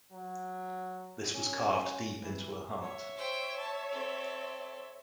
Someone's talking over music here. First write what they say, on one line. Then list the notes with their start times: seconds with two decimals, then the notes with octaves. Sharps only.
This was carved deep into her heart.
0.12 F#3
1.35 C#4
2.22 E3
2.82 C#5 E5
3.16 C5 G5
3.58 A5
3.92 C4 A4